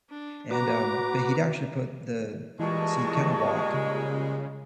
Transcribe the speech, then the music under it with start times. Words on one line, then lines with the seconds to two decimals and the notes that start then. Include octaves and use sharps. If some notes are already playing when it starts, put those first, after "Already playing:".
and, um but he'd actually put the so you kinda walk
0.10 D4
0.51 F#4 B4 A#5 D6
2.60 A#2 E3 G3 G#3 D#5 A5 C#6
3.74 C#3